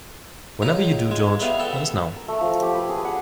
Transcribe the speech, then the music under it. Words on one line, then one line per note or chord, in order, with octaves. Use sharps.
Whenever you do, George, let us know.
C#2 D#4 A#5
G#3
G3 A3 B3 F5
A4 G5
A#4
A3
F3
G4
B4
G#4
F#5